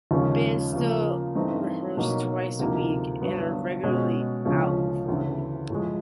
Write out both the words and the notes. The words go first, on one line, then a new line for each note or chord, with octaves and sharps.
The band still rehearse twice a week and are regularly out performing.
D#2 C#3 F3 G#3 C#4
C#3 F3 A#3
G2 E3 A3 C4 D#4
B2 F#3 A#3 D#4
D2 C3 F3 A#3 D#4
G2 D3 F#3 B3
B2 G#3 C#4 F#4
D2 C#3 F3 G#3 C#4
D2 C#3 E3
A2 F3 G#3